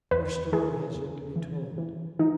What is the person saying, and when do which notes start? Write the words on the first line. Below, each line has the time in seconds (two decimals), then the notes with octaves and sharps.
Her story has yet to be told.
0.11 E2 B4
0.52 E3 G#4
0.94 E2
1.36 E3
1.78 E3
2.19 E3 D#4